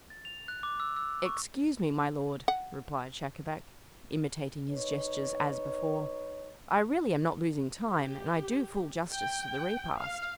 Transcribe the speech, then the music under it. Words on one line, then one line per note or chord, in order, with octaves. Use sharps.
"Excuse me, my lord," replied Schacabac, imitating his gestures as before, "I really am not losing time, and I do full justice to the repast."
A6
F7
F#6
D6
E6
E6
C#6
F#5
D#4 B4 C#5
G4
G5
F5